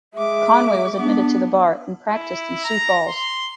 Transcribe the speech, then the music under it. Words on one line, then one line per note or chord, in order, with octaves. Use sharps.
Conway was admitted to the bar and practiced in Sioux Falls.
G#3 E5 D6
B3 D4
E4
A#5
C6